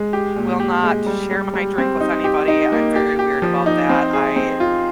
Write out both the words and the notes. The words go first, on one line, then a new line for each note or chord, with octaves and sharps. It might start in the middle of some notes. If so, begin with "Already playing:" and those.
will not share my drink with anybody, I'm very weird about that, I
Already playing: G#3
G4
A#2
G4
G#3
G3
G3
G3
C4
D#4
G4
D#4
A#3
G4
G4
F3
D#4
C4
G#4
C4
F4